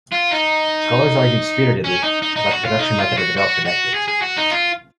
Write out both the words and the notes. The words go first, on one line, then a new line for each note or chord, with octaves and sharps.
Scholars argued spiritedly about the production method of the belt for decades.
F4
D#4
C#4
D#4
D#4
D#4
F#4
F4
D#4
F4
F#4
F#4
F#4
G#4
G#4
F#4
D#4
F4